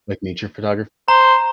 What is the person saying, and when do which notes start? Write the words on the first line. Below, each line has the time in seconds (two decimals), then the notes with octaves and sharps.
Like nature photograph
1.08 C5 A#5